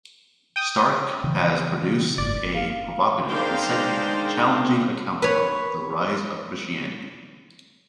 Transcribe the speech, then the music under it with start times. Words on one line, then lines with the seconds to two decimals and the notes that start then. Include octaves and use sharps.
Stark has produced a provocative, insightful, challenging account of the rise of Christianity.
0.56 G5 D#6
1.24 C#3 E3
2.18 F#1 G#2 D5
2.54 F5
3.29 D#3 G#3 D4 C5 F5 G5
5.22 B4 C#5